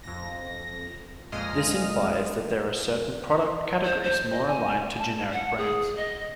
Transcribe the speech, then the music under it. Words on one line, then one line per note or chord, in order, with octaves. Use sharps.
This implies that there are certain product categories more aligned to generic brands.
F2 A#6
F2 A#2 G#3 D#5 D#6 F6
C5
C5
D#5
G#5
A5
F#5
G#4
D#5